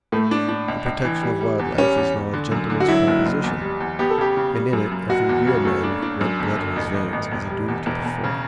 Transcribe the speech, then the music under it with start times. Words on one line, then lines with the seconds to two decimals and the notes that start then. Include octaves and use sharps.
The protection of wild life is now a gentleman's proposition, and in it every real man with red blood in his veins has a duty to perform.
0.12 A2 A3
0.31 D4
0.49 D4
0.68 C#2
0.86 C#2
1.05 E3
1.23 G3
1.41 G3
1.59 E2
1.78 G3 C#4
1.97 E2
2.15 E2
2.33 D3
2.52 F#2
2.70 D3
2.80 F#4
2.88 F#3 E4
3.07 F#1
3.25 F#1
3.44 E2
3.62 G3
3.80 E2
3.99 B3 G4
4.10 A4
4.18 C#3 G4
4.37 C#3
4.55 G3
4.73 F#2
4.91 F#2
5.10 F#1 F#4
5.29 E2
5.47 C#3
5.65 A3
5.83 D4
6.02 D4
6.21 F#2
6.40 G1
6.58 G1
6.76 A1
6.94 A1
7.13 A1
7.32 E1
7.50 G3
7.68 E2
7.86 E1
8.05 E1
8.24 C#3